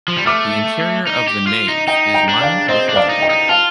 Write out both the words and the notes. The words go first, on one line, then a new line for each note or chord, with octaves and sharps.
The interior of the nave is lined with wallboard.
F3
G3
A3 D6 F6
D#4
G4
F4
D#4
D#4 D#5 G5
G5 A#5
D4
D5 F5
C4 C5 D#5
D4
D5 F5
D#4
D#5 G5
D#4
F4 F5 A5